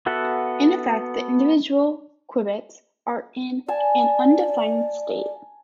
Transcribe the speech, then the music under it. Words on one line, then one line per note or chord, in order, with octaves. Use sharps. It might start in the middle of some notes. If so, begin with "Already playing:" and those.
In effect, the individual qubits are in an undefined state.
B3 F#4 A4 E5 F#5
D5 G#5 A5